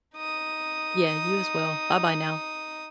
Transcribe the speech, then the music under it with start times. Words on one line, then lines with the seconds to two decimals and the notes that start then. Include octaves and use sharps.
Yeah, you as well. Bye-bye now.
0.15 D#4 D#6